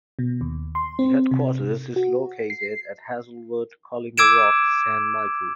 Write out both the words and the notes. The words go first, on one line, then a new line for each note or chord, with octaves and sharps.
The headquarters is located at Hazelwood, Collymore Rock, Saint Michael.
B2
D#2
C6
C4
C3
F#4
C7
D6 E6 G#6 D7 E7